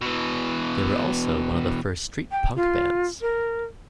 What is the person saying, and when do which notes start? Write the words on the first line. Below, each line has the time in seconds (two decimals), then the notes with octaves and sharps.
They were also one of the first street punk bands.
0.01 B2 E3
2.32 G5
2.56 F4
3.21 A#4